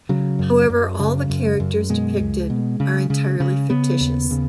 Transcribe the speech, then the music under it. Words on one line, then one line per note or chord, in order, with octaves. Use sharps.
However, all the characters depicted are entirely fictitious.
C#3 F#3
F#2
F#2
C#3
F#2
F#2
B2 G#3
C#2
B2
C#3
C#3
C#3
C#3 B3
D#2
C#3